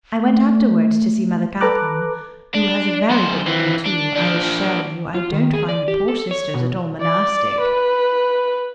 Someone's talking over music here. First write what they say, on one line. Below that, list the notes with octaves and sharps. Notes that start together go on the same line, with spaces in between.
I went afterwards to see Mother Catherine, who has a very good room too; I assure you I don't find the poor sisters at all monastic.
A3
A4 B4 A#5 D6 F#6
D4
F#2 C5
E3 C4
D4
F3 D4
F4
D#3
G#4
D5
G4
A4
C#5
B2
D5
B4